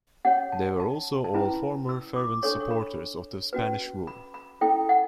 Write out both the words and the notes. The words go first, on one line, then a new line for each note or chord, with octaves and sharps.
They were also all former fervent supporters of the Spanish rule.
C#4 G4 C#5 F#5
A5
A5
A5
C#4 E4 B4 B5
E6
D6
D4 A4 C#5 C#6
C#6
B5
C#4 F#4 B4
B5
B5
C#4 E4 A4 G5
F#5